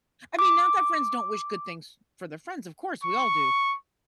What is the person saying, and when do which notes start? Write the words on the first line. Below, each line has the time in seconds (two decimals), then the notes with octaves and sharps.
I mean, not that friends don't wish good things for their friends, of course we all do.
0.39 D6
3.03 C#6